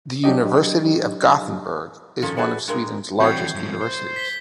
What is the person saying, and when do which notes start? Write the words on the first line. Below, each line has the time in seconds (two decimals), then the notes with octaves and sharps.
The University of Gothenburg is one of Sweden's largest universities.
0.24 F#3 D4 G4 D#5
2.22 D#3 F3 C#4 A4 A#4
2.37 F#4 G#4 A4 B4 D5
2.68 G2 G#3 A#4
3.20 E3 G3 C4 F#4 G6 G#6 C7
3.55 G2 F3
3.81 C5
4.16 B6 G7